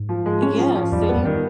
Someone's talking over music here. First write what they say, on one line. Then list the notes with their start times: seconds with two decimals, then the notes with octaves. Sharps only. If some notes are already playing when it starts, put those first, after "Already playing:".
Yeah, see.
Already playing: G#2
0.09 F3
0.26 G#3
0.42 C#4
0.58 F3
0.75 F3
0.91 E2 G3
1.01 F2
1.09 E2 B3
1.17 F2
1.25 D#3